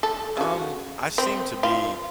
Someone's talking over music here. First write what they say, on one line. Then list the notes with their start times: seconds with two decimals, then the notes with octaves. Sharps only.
Um, I seem to be,
0.03 A4
0.37 C#3 F#4
1.18 C4
1.63 F4